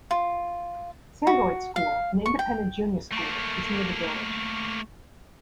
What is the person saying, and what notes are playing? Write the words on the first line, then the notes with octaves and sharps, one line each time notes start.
Sandroyd School, an independent junior school, is near the village.
F4
F#4
F5
C#6
G5
A3 A#3